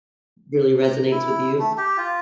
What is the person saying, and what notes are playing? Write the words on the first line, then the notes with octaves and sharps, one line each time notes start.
really resonates with you?
A#5
E4
A3
G4
F4